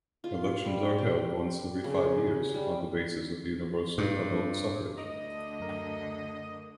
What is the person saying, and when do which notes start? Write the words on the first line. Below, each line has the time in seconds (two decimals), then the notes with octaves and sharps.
Elections are held once every five years, on the basis of universal adult suffrage.
0.24 F4
0.65 G3
0.98 G4
1.84 C#3
2.54 G3
3.98 G2
4.96 D2 D3 D#5
5.60 F#2 A#4